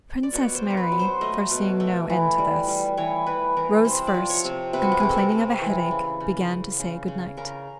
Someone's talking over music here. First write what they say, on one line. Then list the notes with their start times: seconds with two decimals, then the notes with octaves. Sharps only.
Princess Mary, foreseeing no end to this, rose first, and complaining of a headache began to say good night.
0.23 D5
0.33 B2 C#5
0.55 C5
0.62 B2
0.70 A#4
0.77 B4
0.92 F#3
0.99 C5
1.21 A3 D#5
1.51 B2
1.80 A3
2.10 E3
2.38 G3
2.68 G3
2.97 E3 C#5
3.27 E3 B4
3.57 E3 A#4
3.85 C3 C5
4.07 D5
4.14 F3
4.30 C#5
4.45 C3
4.73 C3 B4
4.82 F#4
4.92 G4
5.00 C3 G#4
5.09 A4
5.17 A#4
5.32 C3
5.61 E3
5.91 C#3
6.20 C#3
6.50 C#3
6.79 C#3
7.08 C#3
7.37 C#3 A#4